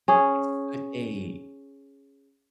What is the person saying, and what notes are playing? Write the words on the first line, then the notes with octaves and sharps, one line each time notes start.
it's such a
C#4 G#4